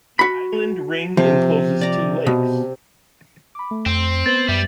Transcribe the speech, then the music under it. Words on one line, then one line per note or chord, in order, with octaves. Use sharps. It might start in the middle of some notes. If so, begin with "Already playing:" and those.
The island ring encloses two lakes.
F#4 B5
C3 F3
D5 A#5
B2
B5 D6
A3
F2 C4
B3 B4 C5 A6 F#7
F#2 G3 E5